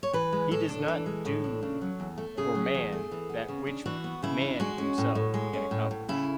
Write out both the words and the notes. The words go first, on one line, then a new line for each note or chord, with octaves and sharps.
He does not do for man that which man himself can accomplish.
C#5
E3 B4
G#3
A2 A4
D4
E3
G#3
A2
D4
C#3
F#3
E2
A3
C#3 G#4
F#3
E2
A3
E3
B3
C#3
D4
E3 F#4
B3
C#3 E4
D4
G#3 F#4
C#4
A2
A2
G#3
C#4
A2
A2
C#3 E4